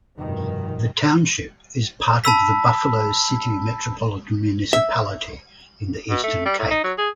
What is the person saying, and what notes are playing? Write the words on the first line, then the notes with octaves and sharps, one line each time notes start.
The township is part of the Buffalo City Metropolitan Municipality in the Eastern Cape.
F1 G2 B2 D#3
A5 B5 E6 B6
E5
B2
A3
G3
A2
D#4
F#3
G#4